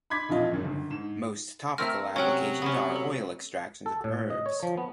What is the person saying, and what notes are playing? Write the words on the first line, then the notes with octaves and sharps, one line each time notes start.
Most topical applications are oil extractions of herbs.
B5 C6 D6 G#6 B6
E1 A#1 F2 E4 F4 D#5
G#1 F#2 C#3
G1
G#2 E7
A3 C4 A#4 E5 E6 F6
C3 F#3 C#4 C#5 F#5 G5
B3 C#4
A4
A4
A2
D#5
C#5
F3
B3